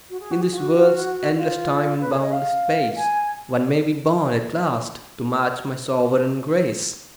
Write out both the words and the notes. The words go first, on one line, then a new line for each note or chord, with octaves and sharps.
In this worlds endless time and boundless space One may be born at last to match my sovereign grace.
F#4
G#4
F#4
G#4
F4
F#4
F4
B4
G#4
D#5
F5
G#5